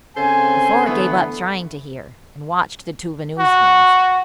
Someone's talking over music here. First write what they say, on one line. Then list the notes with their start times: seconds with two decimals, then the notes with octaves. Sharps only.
The four gave up trying to hear, and watched the two Venusians.
0.16 C#3 C4 A4 C5 G#5
0.85 D3 E3 A3 B3
3.38 F#4